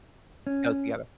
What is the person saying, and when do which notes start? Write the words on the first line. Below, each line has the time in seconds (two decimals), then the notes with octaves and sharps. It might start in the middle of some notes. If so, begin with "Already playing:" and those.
goes together.
0.47 C#4